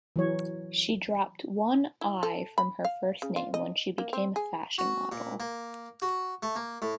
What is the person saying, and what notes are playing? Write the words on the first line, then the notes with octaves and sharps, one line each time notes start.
She dropped one 'l' from her first name when she became a fashion model.
E3 F#3 C#5
E4
A4
B5
F5
C#3
F4
D#5
A#3
C4
G#4
F#4
A#2
A#3
F#4
A3
A#3
A2